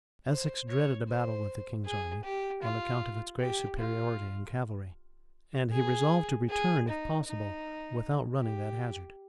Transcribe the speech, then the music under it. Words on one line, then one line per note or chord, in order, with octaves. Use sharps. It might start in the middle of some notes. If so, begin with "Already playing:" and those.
Essex dreaded a battle with the king's army, on account of its great superiority in cavalry; and he resolved to return, if possible, without running that hazard.
C5
C#5
C5
G#4
G4
F4
G4
F4
G#4
G#4
D#4
D#4
G4